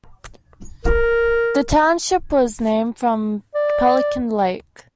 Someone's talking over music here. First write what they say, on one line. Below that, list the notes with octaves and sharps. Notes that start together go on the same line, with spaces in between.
This township was named from Pelican Lake.
A#4
D5